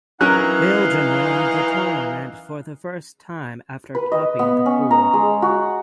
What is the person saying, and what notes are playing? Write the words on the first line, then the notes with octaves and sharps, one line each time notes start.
Belgium won the tournament for the first time after topping the pool.
E3 F#3 C#4 D#4 A#4 F5 F#6
B4
D#5
B3
C#4
A#5
G#3
F#4